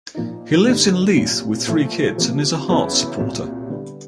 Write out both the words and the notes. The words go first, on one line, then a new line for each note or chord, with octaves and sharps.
He lives in Leith, with three kids, and is a Hearts supporter.
A#2 F3 A#3 D#4
G2 D3 G3 B3 D#4
C2 A#2 F#3
A#2 F3 A3
C3 F3 A#3
E2 C#3 F#3 B3 E4
C2 A#2 F#3
D3 G3 B3